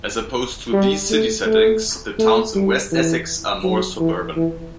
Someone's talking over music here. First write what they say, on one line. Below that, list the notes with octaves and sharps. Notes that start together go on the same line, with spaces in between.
As opposed to these city settings, the towns in West Essex are more suburban.
G3
A3
A3
A3
G3
E3
F#3
E3
E3